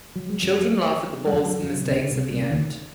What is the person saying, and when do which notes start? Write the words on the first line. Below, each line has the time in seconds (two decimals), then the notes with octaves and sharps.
Children laugh at the balls' mistakes at the end.
0.16 F#3
0.30 G#3
0.42 F#2 F#3
1.26 G#3
1.33 F#2 F#3
1.62 F#2 F#3
1.81 C3
1.91 C#2 C#3
2.11 C2 C3
2.30 C2 C3
2.42 C#3
2.49 D#2 D#3